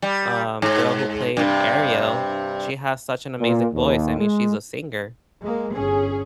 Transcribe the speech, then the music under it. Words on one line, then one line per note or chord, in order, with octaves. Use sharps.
um, girl who played Ariel, she has such an amazing voice. I mean, she's a singer.
G3
G#2
G2 C3
A#2
D#2
G#3
G#3 A#3
G1 C#4 G#4